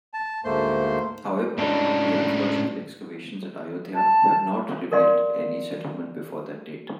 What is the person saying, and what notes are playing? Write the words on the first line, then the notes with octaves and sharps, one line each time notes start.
However, the archaeological excavations at Ayodhya have not revealed any settlement before that date.
A5
D2 G#2 A3 A#3 C5 C6
C#2 A2 D4 D#4
A5
A#4 C#5 D5 F5 C6